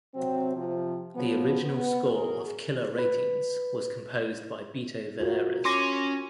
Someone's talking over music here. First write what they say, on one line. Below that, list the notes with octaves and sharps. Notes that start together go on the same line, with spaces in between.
The original score of "Killer Ratings" was composed by Beto Villares.
C3 F#3 C4
C3 F3
F3 F#3 B3
B3
E2 F#3 G#4 A#4
B4
F4 F#4 A#4
C#4 C6 D6 A#6